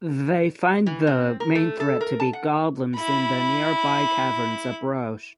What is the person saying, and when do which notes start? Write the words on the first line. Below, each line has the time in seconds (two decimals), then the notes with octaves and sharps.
They find the main threat to be goblins in the nearby caverns of Broch.
0.86 E3
1.07 C4
1.40 A#4
1.55 A3
1.80 A4
2.01 A#4
2.20 A5
2.33 F#5
2.96 E4 B5